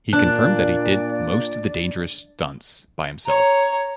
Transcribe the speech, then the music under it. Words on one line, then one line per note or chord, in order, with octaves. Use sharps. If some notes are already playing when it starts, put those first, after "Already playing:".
He confirmed that he did most of the dangerous stunts by himself.
A#2 D4 D5 F#6
C#5 A#5